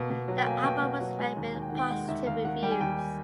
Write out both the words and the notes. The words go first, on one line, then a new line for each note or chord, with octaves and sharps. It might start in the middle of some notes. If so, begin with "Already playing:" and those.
The album was met with positive reviews.
Already playing: B2 A#3
B2
F#3
G5
A#3 G#5
G#5
B2 G5
B2 F#5
F#3 F#5
G#3 G#5
D#2
D#2 G#5
G5
F#5
D#3
G5
G#3 F#5
D#2 E5
D#2 F5
D#3 F#5
G3 G5
G#5
D#2 G5
G#5